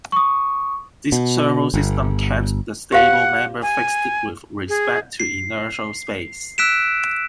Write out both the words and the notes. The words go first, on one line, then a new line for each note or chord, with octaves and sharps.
This servo system kept the stable member fixed with respect to inertial space.
C#6 D#6
B2
G1
G4 C5 F5 F#5
G#5
G#4
C7
E6 F#6 B6 D7 E7